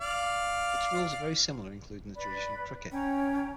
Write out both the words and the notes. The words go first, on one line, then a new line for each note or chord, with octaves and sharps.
Its rules are very similar including the traditional cricket.
D5 F5
B4 D5 B5
C#4 C#5 G5 A#5